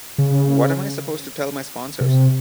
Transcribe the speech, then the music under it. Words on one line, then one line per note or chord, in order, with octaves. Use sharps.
What am I supposed to tell my sponsors?
C#3
C3